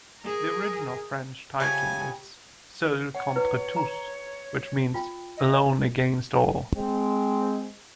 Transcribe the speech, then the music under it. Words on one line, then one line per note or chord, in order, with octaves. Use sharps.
The original French title is Seul contre tous, which means "Alone against all".
G#4 A#4
C#3 F3 A3 G4 G#5
C#5 F#5
E4 B4
A#5
F4 G5
D#5
G#3 C4